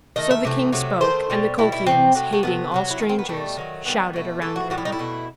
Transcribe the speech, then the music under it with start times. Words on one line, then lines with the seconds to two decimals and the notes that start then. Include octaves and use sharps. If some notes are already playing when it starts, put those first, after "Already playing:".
So the king spoke, and the Colchians, hating all strangers, shouted around him.
0.16 D#3 A3 D#5
0.31 E5
0.45 C3 E3 A3
0.72 C3 F#3 A3
1.01 D#3 A3 C5
1.30 B2 G3
1.58 B2 G3 E4
1.72 E4
1.87 C3 F#3 A3 C4
2.15 C3 F#3 A3
2.33 A3
2.43 D#3 A3 B3
2.47 C3
2.72 C3 D#3 F#3
2.90 E4
3.00 D#3 F#3 A3 D#4
3.09 C4
3.19 B3
3.28 B2 G3 A3
3.57 D#3 F#3 A3
3.85 D#3 G3 B3
4.13 B2 A3
4.42 A2 E3 A3 A4
4.56 F#4
4.70 A2 G3 F#4
4.78 E4
4.85 D#4
4.92 E4
4.99 B2 A3